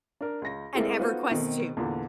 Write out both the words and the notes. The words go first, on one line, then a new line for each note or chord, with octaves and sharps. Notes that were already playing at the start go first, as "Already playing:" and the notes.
And EverQuest II.
D4 A#4
C#2 A#6
G#3 A#3 C4 E4 G#4 A4
B3 D#4 F4 F#4 A4 C5
B2 D#3 A3 C4
E2 A#2 D3 E3